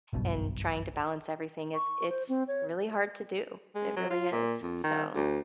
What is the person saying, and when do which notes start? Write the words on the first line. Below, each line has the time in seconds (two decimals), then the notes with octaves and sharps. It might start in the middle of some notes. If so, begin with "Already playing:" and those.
and trying to balance everything is it's really hard to do, it really is, so,
0.13 F#1 B1 G2 B2
1.74 C#6
2.09 C5
2.29 C4
2.48 C#5
3.75 G#3
3.97 F#3
4.10 F4
4.32 A#2
4.62 F2
4.84 D#3
5.16 D2